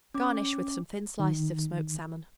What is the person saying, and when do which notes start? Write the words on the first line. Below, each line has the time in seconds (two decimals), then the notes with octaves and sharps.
Garnish with some thin slices of smoked salmon.
0.14 C#4 D6
1.19 D#3